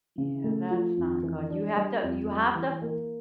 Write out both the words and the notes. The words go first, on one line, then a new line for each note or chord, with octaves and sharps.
Yeah, that's not good. You have to, you have to
C#3
A3
F3
F2
E3
D4
G3
F2
G3
E3
A#3